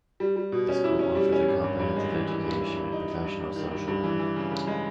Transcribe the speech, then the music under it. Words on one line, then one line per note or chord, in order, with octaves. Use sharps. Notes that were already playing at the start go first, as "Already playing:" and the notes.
The school offers a comprehensive education in professional social work.
G3
G3
B2
C#4
E4
C#4
G3
C#4
G#1
G2
G2
G#3
E3
E3
G2
E3
G2
D#4
D#4
G2
G2
D#3
G2
G2
E3
E3
C#3
C#3
G#3